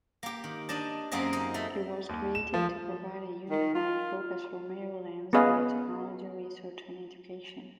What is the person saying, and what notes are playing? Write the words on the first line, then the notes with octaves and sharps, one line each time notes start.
It was created to provide a unified focus for Maryland's biotechnology research and education.
A#3 G4
D#3
D4 D#5 A5
F#2 A#3 C4 G#4 D#5
D#4 D#5
A3
D#2
E7
F3
D#3
F4
B3 C#4 G#4 B4 D#5 F5